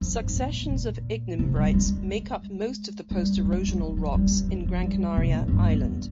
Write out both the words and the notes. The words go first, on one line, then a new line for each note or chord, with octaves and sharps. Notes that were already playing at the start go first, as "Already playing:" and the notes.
Successions of ignimbrites make up most of the post-erosional rocks in Gran Canaria Island.
F2
F2
G#2
A#2
C3
A#2
C3
G3
G#3
G3
G3
G#3
G#3
G3
G3
F3
G3
F3
F3
F3
G3
C3
A#2
G#2
G2
E2